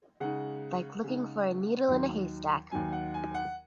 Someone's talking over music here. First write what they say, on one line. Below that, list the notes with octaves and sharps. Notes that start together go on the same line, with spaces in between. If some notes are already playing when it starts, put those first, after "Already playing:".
Like looking for a needle in a haystack.
C#3 G#3 D#4 F#5
C#3 G#3 D#4
D#2 D#3 F#3
D#2 D#3 F#3 G#5
F#5
G#5
F#5